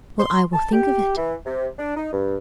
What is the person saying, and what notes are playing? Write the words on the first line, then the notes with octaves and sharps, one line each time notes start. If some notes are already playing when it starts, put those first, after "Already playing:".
"Well, I will think of it."
C6
A5
G4
E3
C3
D4
D#4
G2